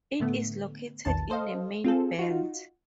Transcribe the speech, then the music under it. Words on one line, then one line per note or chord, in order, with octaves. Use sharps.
It is located in the Main Belt.
A2 D3 A3 B3
A#1 E2 D#3 A5
A4 C5 D#5 F5
C4 F4 G#4 A4
D#4 F4 F#4